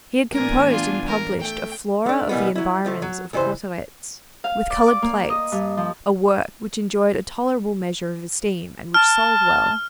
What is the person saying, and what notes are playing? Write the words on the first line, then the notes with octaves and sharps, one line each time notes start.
He had composed and published a Flora of the Environs of Cauteretz, with colored plates, a work which enjoyed a tolerable measure of esteem and which sold well.
A2 E3 B3 D4 A#4 G#5
F4
A#4
A3 G5
A3 D4
B2 E3 G3 A#3 B3
F#3 E4
C#2 F3 A3
F#3
C#2 G2 E3 G4 C5
F5
D5
D6
A#3
D#5
G2
F3
A5 F6